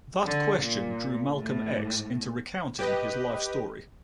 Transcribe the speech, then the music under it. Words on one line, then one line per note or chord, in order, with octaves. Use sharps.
That question drew Malcolm X into recounting his life story.
D3
A#2
A2
G4 B4 D#5